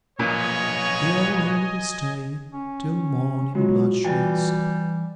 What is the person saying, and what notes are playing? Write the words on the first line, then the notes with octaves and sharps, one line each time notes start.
Here will we stay, till morning blushes.
B1 A#2 F3 B4 C#5 D#5 G#5
C#4
F#3 G#3 F4 F#4
E3 G3 G5 G#5